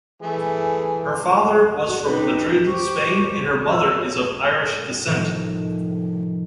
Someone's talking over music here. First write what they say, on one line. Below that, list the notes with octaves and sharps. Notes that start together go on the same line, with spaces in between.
Her father was from Madrid, Spain and her mother is of Irish descent.
E3 A3 G#4
F#4 D5
D#4 F#4 G4 B4
G4 C5 C#6
E6 F6
C#5
A2 C3 D#3 F3 G6 A#6